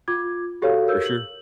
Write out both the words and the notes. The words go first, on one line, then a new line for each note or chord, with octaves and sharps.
For sure.
F4 D6 G#6
F#4 G4 A4 C#5 F5
A#4 E6 G6
F#7